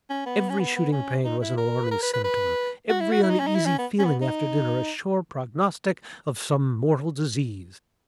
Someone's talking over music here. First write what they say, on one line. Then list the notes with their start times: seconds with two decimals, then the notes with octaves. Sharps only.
Every shooting pain was an alarming symptom,--every uneasy feeling after dinner a sure prognostic of some mortal disease.
0.10 C#4
0.26 B3
0.50 C#4
0.60 B3
0.76 B3
0.92 C#4
1.25 D#4
1.42 E4
1.58 A#4
1.84 B4
1.91 A#4
2.03 B4
2.14 B4
2.24 B4
2.90 F#4
3.00 E4
3.11 F#4
3.23 E4
3.31 D#4
3.40 C#4
3.47 D#4
3.56 E4
3.66 C#4
3.78 B3
3.99 C#4
4.05 B3
4.22 D#4